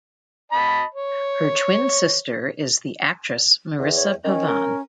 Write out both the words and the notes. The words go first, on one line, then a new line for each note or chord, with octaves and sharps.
Her twin sister is the actress Marisa Pavan.
D#5 A5 B5
C#5
E2 B4
C#5
D#3 C#4
A#4